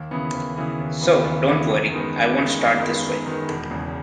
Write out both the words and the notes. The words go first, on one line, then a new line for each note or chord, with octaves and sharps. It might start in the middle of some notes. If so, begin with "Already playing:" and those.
So, don’t worry, I won’t start this way.
Already playing: D#2
C#3 E3 B3
D#2
C#3 E3 B3
D#2
C#3 E3 B3
D#2
C#3 E3 B3
F#2
D#3 G#3 B3
F#2
D#3 G#3 B3
F#2
D#3 G#3 B3
F#2
D#3 G#3 B3
E1
E2 C#3